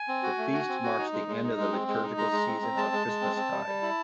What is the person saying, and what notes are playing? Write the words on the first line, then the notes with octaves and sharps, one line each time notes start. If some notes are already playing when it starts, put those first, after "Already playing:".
The feast marks the end of the liturgical season of Christmastide.
Already playing: G#5
C4
F#4
A3
F#4
C4
F#4
D#4
G#3
G#3
D#4
G#3
C4
G#3
D#4
G#3 A#5
G#3
C4
C4
G#3 A5
G#3
G#3
C4
C4
G3
G3
E4